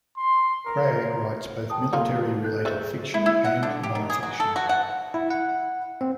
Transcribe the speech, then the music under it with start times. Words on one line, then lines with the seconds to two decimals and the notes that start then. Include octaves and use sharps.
Cragg writes both military-related fiction and non-fiction.
0.17 C6
0.66 A#4
1.70 G5 A5 D#6
1.93 G3 A#3 F4
2.43 A4 F#6 G6
2.65 G#4 B4 C5 D5 E5
3.14 E4
3.26 E4
3.44 F#5
3.63 D3
3.83 G4
3.95 D#3
4.10 G#4
4.23 F#4
4.40 A4
4.56 F#4
4.69 F#5
5.14 E4
5.30 F#5
6.01 C4